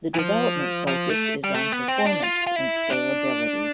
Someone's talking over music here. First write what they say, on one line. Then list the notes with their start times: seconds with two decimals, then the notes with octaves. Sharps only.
The development focus is on performance and scalability.
0.14 E3
0.19 F3
0.87 F3
1.09 A3
1.44 G3
1.54 A3
1.72 B3
1.88 C4
2.05 D4
2.23 F4
2.47 F4
2.56 E4
2.90 D4